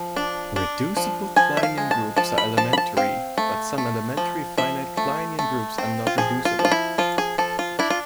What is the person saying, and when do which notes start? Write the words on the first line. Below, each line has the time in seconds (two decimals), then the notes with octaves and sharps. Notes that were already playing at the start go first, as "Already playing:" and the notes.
Reducible Kleinian groups are elementary, but some elementary finite Kleinian groups are not reducible.
Already playing: F3
0.16 D4
0.56 D4
0.97 F3
1.36 F3 G#5
1.57 E5
1.63 F5
1.78 G#3
1.91 A5
2.16 F3 A5
2.38 B5
2.57 F3 A5
2.73 B5
2.78 A5
2.97 C4 F5
3.38 A3
3.78 A3
4.17 F3
4.58 F3 E5
4.97 A3
5.39 A3
5.78 C4
6.07 F4
6.18 F3 G#4
6.45 F4
6.59 F3
6.65 F4
6.72 E4
6.98 F3 F4
7.18 G#4
7.38 F3 A4
7.59 F4
7.79 D4 E4
7.90 F4